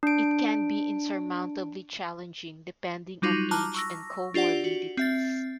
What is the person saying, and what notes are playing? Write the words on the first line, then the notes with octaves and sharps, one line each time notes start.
It can be insurmountably challenging depending on age and comorbidities.
D4 D7
F#3 G3 D#4 F4 F#4
A5 A#5 D6 F6 F#6
C#6 E6 A#6
D4 F4 G4 D5 F#5
F#4
C4 E5 A6